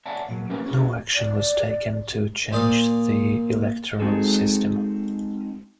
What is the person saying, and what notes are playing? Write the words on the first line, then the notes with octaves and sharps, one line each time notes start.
No action was taken to change the electoral system.
C#5 D5 E5 F#5 G#5 A5
A#2 F#3
A3 A#3 C#4 G4 A#4 B4
C#4 F#4 G#4
D5
A#2 C5 D5 F5 D#6
G#3 C4 D#4 F#4 G#4 A4